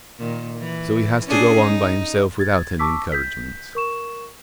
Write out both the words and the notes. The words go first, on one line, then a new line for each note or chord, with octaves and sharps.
So he has to go on by himself without any encouragement.
A#2 D#3
E3
C#4 D4 G#4
D#4
G#6 A6
A5 C#6 D6 E6 B6
G6 B6
A#4 C#6 E7